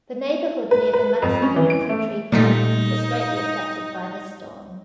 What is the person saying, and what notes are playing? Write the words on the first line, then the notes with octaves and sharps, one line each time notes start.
The neighborhood near the Madisonville Country Club was greatly affected by the storm.
B4
B4
F2
C#4
E3
D7
A3
A#2 G3 A3 D#4